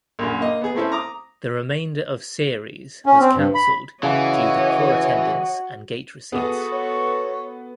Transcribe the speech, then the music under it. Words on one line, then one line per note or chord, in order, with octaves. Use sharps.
The remainder of series was cancelled due to poor attendance and gate receipts.
A#1 F#2
A#3 D#5
B3 G#4
A3 C4 C#4 E4 A4 C5
A#5 D6 D#6
C#4
C4
G2
B5
C#3 E3 F#4 C#5 D#5
B3 F#4 G#4 A4 D#6
C#5